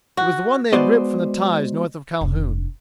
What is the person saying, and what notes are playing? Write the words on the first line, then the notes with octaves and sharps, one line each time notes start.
It was the one they had ripped from the ties north of Calhoun.
F#4
G#3 B3 F#4 C5 D5 D#5
F1 D4